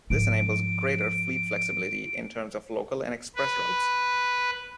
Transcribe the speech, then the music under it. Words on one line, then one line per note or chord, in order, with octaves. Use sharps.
This enables greater fleet flexibility in terms of local and express routes.
G#2 F3 D7
B4